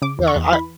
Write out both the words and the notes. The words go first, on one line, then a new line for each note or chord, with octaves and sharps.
yeah, I
C#3 D6
E2
C#6
E2
E3 B5